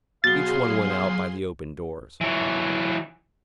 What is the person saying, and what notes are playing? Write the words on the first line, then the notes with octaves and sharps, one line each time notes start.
Each one went out by the open doors.
B2 F#3 G#4 F5 C6 A6 G7
E3 F#3